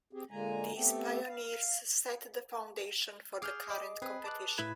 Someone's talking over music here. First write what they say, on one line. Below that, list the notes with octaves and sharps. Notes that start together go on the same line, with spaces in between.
These pioneers set the foundation for the current competition.
C4 G4 G#4
A#2 D3 G#3 A#3 G#5 A#5
A3 B3 C4 G4 A4
F5
G#4 D6 F6 G6
D#5 D6
C4 G#4 B4
A5 D6 F#6
A2 E4 B4 E5 G#6